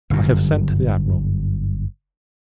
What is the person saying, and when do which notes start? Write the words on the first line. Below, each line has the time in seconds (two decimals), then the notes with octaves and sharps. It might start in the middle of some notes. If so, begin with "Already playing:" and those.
I have sent to the Admiral.
0.10 G1 F#2